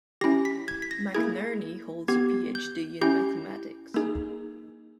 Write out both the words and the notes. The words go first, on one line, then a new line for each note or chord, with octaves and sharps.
McNerney holds a Ph.D in mathematics.
C#4 E4 G4 A#6
B6
G#6
B6
A#6
A#3 E4 G#4 G#6
B3 G4 G#6
G6
C#4 E4 G4 G6
A#3 D#4 G#4